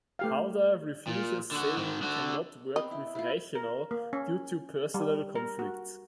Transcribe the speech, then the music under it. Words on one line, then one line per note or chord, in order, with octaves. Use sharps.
Halder refuses saying he cannot work with Reichenau due to personal conflicts.
A3 G4 F5
A#2
D3 F#4
G#2 D#3
D3 F#4
B3 C4 D#5 G5
E4
E4 F4
A#4
A#3
C#4
G3
A#4
F#4